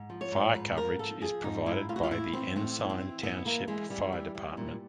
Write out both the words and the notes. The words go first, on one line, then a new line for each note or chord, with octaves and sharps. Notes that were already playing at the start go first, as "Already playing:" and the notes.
Fire coverage is provided by the Ensign Township Fire Department.
Already playing: G#2
F3
C#5
G#2
G#2 B4
F3 A#4
F3 A4
F3 G#4
G#2 D#4
G#2 E4
A2 F4
F#4
F4
A2 E4
E3 C4
A2 C4
E3
C4
E3
E3 B3
E3 A#3
E3 G#3
E3 G3
E3
E3
A#2